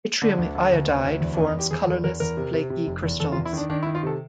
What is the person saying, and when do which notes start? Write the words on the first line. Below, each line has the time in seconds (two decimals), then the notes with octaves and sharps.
Yttrium iodide forms colorless flaky crystals.
0.22 D3 D4
0.38 D2
0.55 D3
0.72 D2
0.88 D2
1.05 D2
1.21 E2
1.34 D4
1.38 E2
1.47 D#4
1.55 E2 G4
1.71 E2 G#4
1.87 E2 A4
2.04 E2 A#4
2.20 E2 A#4
2.37 C3
2.54 C3
2.70 C3
2.87 F1
3.03 E2
3.20 E2 A4
3.32 F4
3.37 E2
3.45 E4
3.53 D#3 D4
3.70 D#3 D4
3.83 E4
3.86 D#3
3.95 F4
4.03 C3 A4